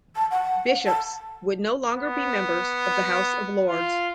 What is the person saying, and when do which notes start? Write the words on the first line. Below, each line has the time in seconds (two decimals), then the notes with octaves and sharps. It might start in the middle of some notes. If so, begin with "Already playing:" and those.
Bishops would no longer be members of the House of Lords.
0.15 A5
0.30 F#5
0.85 A5
1.94 B3
3.68 F4